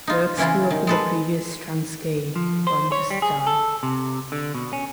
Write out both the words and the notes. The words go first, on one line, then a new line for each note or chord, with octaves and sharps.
Dirks grew up in the previous Transkei bantustan.
D#4 F4
C#3 E3 C#4 E4 F4
D#3
G#3 A4 B4
F3
C5
C#5
G3
G#4
A4
C3
D3
B2
C#4